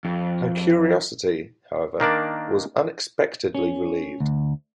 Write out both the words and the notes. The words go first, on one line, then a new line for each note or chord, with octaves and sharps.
Her curiosity, however, was unexpectedly relieved.
F2
D#3 A#3 D4 D5
C#4
D2